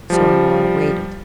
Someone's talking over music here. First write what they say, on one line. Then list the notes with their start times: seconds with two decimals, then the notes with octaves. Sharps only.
So Honora waited.
0.10 F3 G3